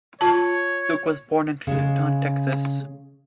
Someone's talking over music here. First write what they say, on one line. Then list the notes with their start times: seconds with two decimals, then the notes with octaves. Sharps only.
Duke was born in Clifton, Texas.
0.21 F4 C#5 A5
1.67 C#3 G#3